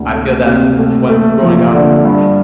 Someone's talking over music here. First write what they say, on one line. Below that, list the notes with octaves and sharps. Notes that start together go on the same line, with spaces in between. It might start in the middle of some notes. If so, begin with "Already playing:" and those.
I feel that when Growing up,
Already playing: D2 C3
A3
C3
A3
A3
F3
D3
G2